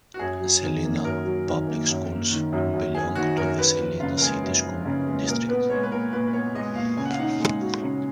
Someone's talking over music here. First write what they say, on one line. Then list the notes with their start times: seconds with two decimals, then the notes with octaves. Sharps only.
Celina Public Schools belong to the Celina City School District.
0.14 F#4
0.19 F#2 G#4
0.40 F#3
0.62 D#3
0.83 A#3
1.04 F#2 A#4
1.25 F#3
1.47 D#3
1.67 A#3
1.89 F#2
2.10 A#3
2.31 D#3
2.52 F#2
2.73 F#2
2.95 A#3 G#4
3.15 D#3 F#4
3.37 F#2 A#4
3.58 F#2 B4
3.80 F3
4.00 C#3 F4
4.18 A#4
4.22 G#3 G#4
4.43 F#2
4.64 F3
4.85 C#3
5.07 G#3
5.28 A#2 A#4
5.49 B3 B4
5.69 G#3 C#5
5.83 B4
5.91 A#2 A#4
6.12 A#2 B4
6.27 B4
6.33 B3 C#5
6.55 G#3 D#5
6.76 A#2 F5
6.97 C#3 G#5
7.05 F#5
7.13 F5
7.18 D#4 F#5
7.39 G#3
7.61 F#4
7.82 C#3